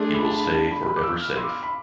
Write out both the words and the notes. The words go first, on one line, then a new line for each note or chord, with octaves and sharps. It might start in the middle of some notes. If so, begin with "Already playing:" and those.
He will stay forever safe.
Already playing: A3 D4 G#4 C6
B5
A5
A5
B5
A5
B5
B5
D6
E6
F6
C6
D6
B5